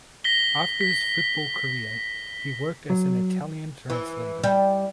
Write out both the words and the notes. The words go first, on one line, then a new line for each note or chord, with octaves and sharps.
After his football career he worked as an Italian translator.
A#6 B6 G7
B6
F#3
E3
G3